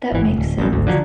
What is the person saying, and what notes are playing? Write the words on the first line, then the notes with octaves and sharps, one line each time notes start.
that makes sense.
G#1 E3
F1
D1
A1 F#2
G#1 D2
D3 F3 F#3